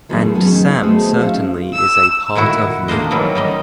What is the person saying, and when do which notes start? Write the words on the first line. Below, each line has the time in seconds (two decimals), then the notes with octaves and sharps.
And Sam certainly is a part of me.
0.09 D3 D#3 F#3 B3 G#4
0.22 A2
0.34 F#3 B3 C#4 G#4
0.52 D#3
0.81 A3 B3 C4 F#4 G#4 D#5
1.19 C4 C#4 D#4 E5 F5
1.74 E6
2.35 A#2 D#3 E4 F#4
2.88 D#3 A#3 D4 C5 D#5
3.11 D#3 E3 F#3 G3
3.35 D#3 G3 D#5